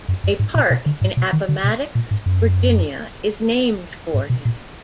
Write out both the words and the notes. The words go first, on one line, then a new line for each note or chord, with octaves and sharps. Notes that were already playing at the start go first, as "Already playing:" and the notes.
A park in Appomattox, Virginia is named for him.
F#2
F#2
G#2
A#2
B2
D3
G#2
B2
D#3
D3
B2
A#2
G#2
F#2
G#2
B2
A#2